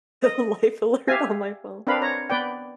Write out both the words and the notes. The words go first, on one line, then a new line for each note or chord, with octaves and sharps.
Life alert on my phone.
D#5
G4 E5 F5 G#5
C4 D4 A#4 B4 F5 B5
C#5 A#5
B3 B4 D5 G5